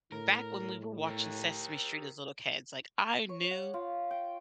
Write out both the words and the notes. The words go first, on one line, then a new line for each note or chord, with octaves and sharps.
M Back when we were watching Sesame Street as little kids, like I knew,
A2 A#4
G4 A#4
C#5
F#5
F4
G5